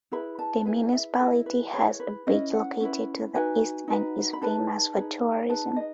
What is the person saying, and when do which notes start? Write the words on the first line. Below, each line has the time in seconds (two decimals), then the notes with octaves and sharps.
The municipality has a beach located to the east and is famous for tourism.
0.12 E4 G#4 B4 B5
0.39 A5
0.65 E4 G#4 B4 G#5
0.93 E5
1.19 E4 G#4 B4 D#5
1.46 B4
1.73 E4 G#4 B4 C#5
2.00 B4
2.27 C#4 E4 B4 D#5
2.54 F#5
2.80 C#4 E4 B4
3.34 D#4 F#4 B4 G#5
3.88 D#4 F#4 B4
4.33 B5
4.42 D#4 G#4 B4 A5
4.95 D#4 G#4 B4
5.49 D#4 G#4 B4 A5
5.76 D#5